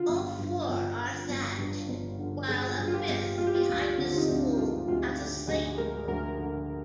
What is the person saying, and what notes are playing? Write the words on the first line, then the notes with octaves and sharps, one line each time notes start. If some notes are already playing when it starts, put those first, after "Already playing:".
All four are thatched, while a fifth behind the school has a slate roof.
Already playing: D3 F4
G1
G2
G1
D3
G1
G2
G1
D3
G1 G#4
G2
F4
G4
G1
G#3 F4
G4
F4
D2 F4
D3 C4
D#4
D2 D4
G#3 F4
D2 F4
D3 G4
D2 G#4
G#3 A#4
D2 A#4
D3